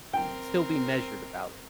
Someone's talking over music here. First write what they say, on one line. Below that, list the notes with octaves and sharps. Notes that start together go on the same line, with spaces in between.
still be measured about it.
C4 A#4 G5